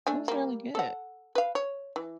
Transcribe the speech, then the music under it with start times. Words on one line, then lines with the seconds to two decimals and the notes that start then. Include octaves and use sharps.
it was really good.
0.07 A3 D4 G#5
0.28 G3 A#3
0.75 A4 F#5
1.35 B4 F5
1.55 C#5
1.96 E3